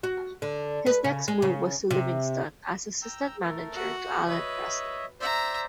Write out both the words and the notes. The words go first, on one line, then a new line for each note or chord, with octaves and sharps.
His next move was to Livingston as assistant manager to Allan Preston.
F#4
D3
B4
C#3
G#3
C#3
C3
G5 A#5 E6
A3 A4 A#4
F#4
B4 C#5 D#5 E5
C5 D5 E5 A#5